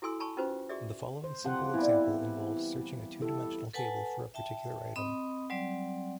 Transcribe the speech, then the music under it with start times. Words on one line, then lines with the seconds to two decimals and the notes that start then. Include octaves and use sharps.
The following simple example involves searching a two-dimensional table for a particular item.
0.02 E4 F#4 A4 G#5 C6 E6
0.20 G#5 A5 B5 C#6
0.37 C#4 D#4 F4 F#4 B4 C5
0.69 F#4 G#4 D5 E5
1.24 C5
1.45 F3 C4 G4 F#5
1.74 E3 G3 B3 E4
3.21 E4 G4 A4
3.73 A4 B4 F#5 G#5 A5
4.34 E5 G5 A5
4.96 C4 D#5 B5 D#6
5.50 F#3 G3 C4 D5